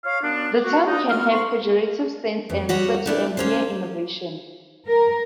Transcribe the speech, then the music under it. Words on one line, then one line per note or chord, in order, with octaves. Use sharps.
The term can have pejorative sense and refer to a mere "innovation".
C#5 F5
F#2 B3 D4
F#4
D4 D#4
F4 F#4 F6
G#2 C6 C#6
F2
G3 F#4 C#5
A3 D4 E4
A#3 C#4 C5
A#4